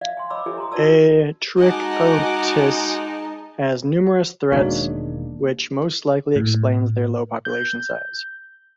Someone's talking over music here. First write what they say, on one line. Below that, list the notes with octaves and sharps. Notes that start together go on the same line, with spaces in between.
"A. trichotis" has numerous threats, which most likely explains their low population size.
D5 E5 F5
G#5 C6
C#5 D#5 B5 D6 E6
F4 G4 A4 C#5 E5 G#5
A#5 C6 D#6
F4 F#4 B4 D5 A5 E6
G#3 D#4 F#4 D#5 F#5 G#5 A5 D6
E1 D#3 G#3 A#3 D4 F#4 C#5
A2
G6